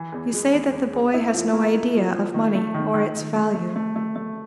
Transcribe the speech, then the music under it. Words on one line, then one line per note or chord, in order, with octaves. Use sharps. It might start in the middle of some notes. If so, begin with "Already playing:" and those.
You say that the boy has no idea of money or its value.
Already playing: E3
E2
G#3
E2
E2
E2
E4
F3
A#3
E4
F3
F3
D#3
A3
D#3
D#3
D#3
A3
A3
A3
A3
A3